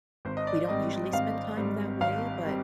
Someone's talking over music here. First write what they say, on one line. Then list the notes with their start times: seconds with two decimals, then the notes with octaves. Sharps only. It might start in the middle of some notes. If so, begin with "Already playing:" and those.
we don't usually spend time that way, but
0.25 G#1 C5
0.37 D#5
0.47 D5
0.69 G#2 G3 C4 D#5
1.13 G#1 F5
1.56 G#2 G3 C4
2.01 G#1 F5
2.45 G3 C4